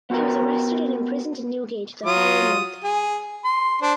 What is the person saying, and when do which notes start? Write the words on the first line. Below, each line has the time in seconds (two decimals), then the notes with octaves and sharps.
He was arrested and imprisoned in Newgate the following month.
0.10 B3 F#4 G4 A#4
2.05 F#3 F4 D#6
2.84 G#4
3.45 C6
3.82 D4 C5